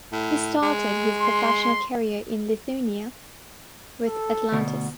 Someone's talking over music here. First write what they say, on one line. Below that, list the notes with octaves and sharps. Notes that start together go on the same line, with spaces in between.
He started his professional career in Lithuania with Atlantas.
A2
G#3
C6
A4
D2 B2